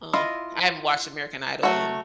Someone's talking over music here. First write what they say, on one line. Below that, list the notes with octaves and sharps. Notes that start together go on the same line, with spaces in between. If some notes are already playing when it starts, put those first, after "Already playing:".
Uh, I haven't watched American Idol in,
E4 F4 D#5
F#3 A3 F#4